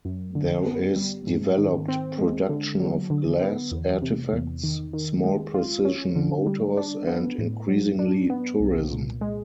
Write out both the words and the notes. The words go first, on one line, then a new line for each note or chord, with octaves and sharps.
There is developed production of glass artifacts, small precision motors and, increasingly, tourism.
F#2
D3
B3
G3
G#2
D#3
C4
G#3
D3
F#3
D3
B3
E2
C3
E2
D#3
D#3
G#3
F4
C#4
D3
G3
D4
B3
A2
F#3
D4
B3
C2
A#2
G#3